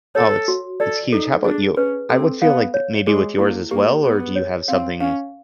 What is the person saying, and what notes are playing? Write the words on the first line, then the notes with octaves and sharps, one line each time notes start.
Oh, it's it's huge. How about you? I would feel like maybe with yours as well, or do you have something
A4 C#5
F#4
A4 D5
D#4 A4
D4 G#4
C#4 B4
C4 A4
B3 F5
C#5
G#3 G#4
A#3 E4
A#3 G4
B3 G#4
C#5
C4 F5
C#4 F5